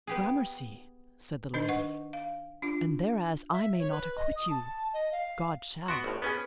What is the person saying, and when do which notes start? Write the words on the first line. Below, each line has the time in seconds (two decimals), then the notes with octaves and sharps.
Gramercy said the lady, and thereas I may not acquit you, God shall.
0.07 B3 G4 G#4
1.54 D#3 D4 D#4 A#4 D#5
1.68 B4 D#5 F#5 C#6
2.13 F5
2.62 D4 F4
3.53 E5
3.78 C#5
3.91 B4
4.16 D#5
4.36 D#6
4.50 A5
4.93 D#5
5.12 F5
5.88 B3 F#4 C6 C#6 D7
6.04 G#1 A2
6.22 B3 C#4 G#4 B4